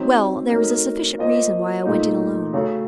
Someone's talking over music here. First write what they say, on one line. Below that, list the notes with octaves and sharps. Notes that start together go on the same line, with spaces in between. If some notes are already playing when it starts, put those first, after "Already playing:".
"Well, there was a sufficient reason why I went in alone."
Already playing: F#3 C4 D#4
F#3 A3 D#4 A#4
A#3 F4 C5 D#5
A#2 A3 D#4
C#3 F#3 A3